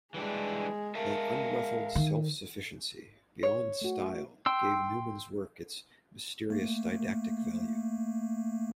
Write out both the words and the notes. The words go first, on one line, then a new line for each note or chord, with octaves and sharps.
That unruffled self-sufficiency, beyond style, gave Newman's work its mysterious didactic value.
E3 G3 G#3 D4 G#4
G#3 A#4 E5 F5 A5
D#3
C#5
A3 F#4
G5 C6 E6
A3 A#3